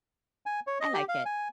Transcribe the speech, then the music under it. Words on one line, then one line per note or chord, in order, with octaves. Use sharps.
I like it.
G#5
C#5
D#5
G4
F5
G#5